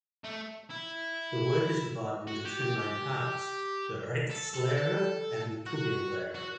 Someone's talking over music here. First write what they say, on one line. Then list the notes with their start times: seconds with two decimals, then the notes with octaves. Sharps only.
The work is divided into two main parts, the "Rechtslehre" and the "Tugendlehre".
0.24 A3
0.70 E4
2.27 F#4
2.45 G4
2.61 G4
2.78 G4
4.30 A4
4.53 A4
4.76 A4
5.66 F#4
6.35 F#4